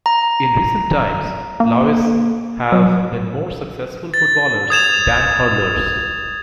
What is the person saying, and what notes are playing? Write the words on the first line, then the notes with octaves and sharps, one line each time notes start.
In recent times Laois have been more successful footballers than hurlers.
A#5
A#3
F#3
A6
D#6 G#6 E7 F7